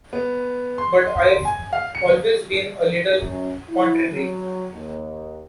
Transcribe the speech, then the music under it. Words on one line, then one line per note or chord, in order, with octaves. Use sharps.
But I've always been a little contrary.
B3
C6
G#5
F5
C#7
F#2
E4
F#3
D#2